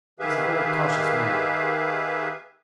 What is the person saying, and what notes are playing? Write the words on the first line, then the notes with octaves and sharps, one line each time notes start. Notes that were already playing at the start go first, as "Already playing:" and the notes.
He's a very cautious man.
D#3 G4 G#4 B4 E5 F5